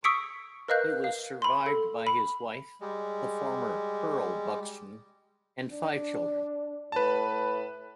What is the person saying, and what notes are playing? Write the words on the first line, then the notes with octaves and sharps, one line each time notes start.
He was survived by his wife, the former Pearl Buxton, and five children.
C#6 D#6 E6 B6 C#7 D7
A#4 B4 D#5 F5 F#6 G6
F5
B5 C6
A4
B5
G3 G#3
D4
A2 B4 A5